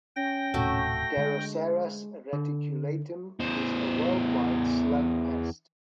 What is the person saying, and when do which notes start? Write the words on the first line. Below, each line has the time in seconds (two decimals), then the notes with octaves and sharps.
"Deroceras reticulatum" is a worldwide slug pest.
0.16 C#4 G5 A#6
0.54 D#1 A2 C3 A3 F#4 E5
1.17 D3 G#3
2.33 D3
3.40 E2 C5